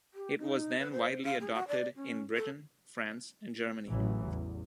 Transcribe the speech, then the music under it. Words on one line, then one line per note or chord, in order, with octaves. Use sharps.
It was then widely adopted in Britain, France and Germany.
G4
D#4
B4
C5
F5
G#4
F#4
D5
C#4
A4
A1 A2 C#3 E3 F#3
E2